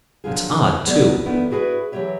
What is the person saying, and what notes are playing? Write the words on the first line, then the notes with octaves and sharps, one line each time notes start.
It's odd, too.
D3 D#3 F3 F#3 F4 G#4
E3
F#3 B3 G#4 B4 D5 D#5
F2 D#3 A3 B3 D4 E4
E4 F#4 G#4 A#4 B4
E3 F#3 A3 G4 C#5 E5